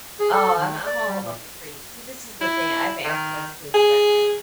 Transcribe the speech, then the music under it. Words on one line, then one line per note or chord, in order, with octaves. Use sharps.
Oh, I'm I'm all about the free. See, this is the thing, I have access to a scrap yard.
G#4
A4
D#3
D5
G3
A#2
E4
D#3
G#4